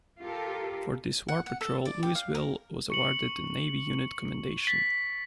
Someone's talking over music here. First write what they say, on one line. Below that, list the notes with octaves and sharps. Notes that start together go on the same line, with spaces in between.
For this war patrol, "Louisville" was awarded the Navy Unit Commendation.
F4 G4 A4 A#4
F#5
F#5
A4
D5
G4
F5
A#4
C#6 C#7 F#7
A6 B6